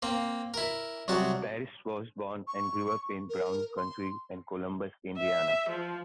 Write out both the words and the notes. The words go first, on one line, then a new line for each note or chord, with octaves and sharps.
Paris was born and grew up in Brown County and Columbus, Indiana.
A#3 C4
E4 A#4
C2 F#3 F#4 A5
C#6
A#4
C6
E5
F3